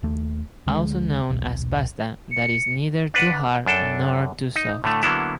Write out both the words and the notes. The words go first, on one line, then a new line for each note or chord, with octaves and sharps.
Also known as pasta that is neither too hard nor too soft.
D#2 A3
D2 D3 E3 G#3
D#1 B1
C#7
D4 B4 F#5
F#2 D4 A4 G5
D#4
A2 D3 A3
D3 F#3 A#3 B3 E4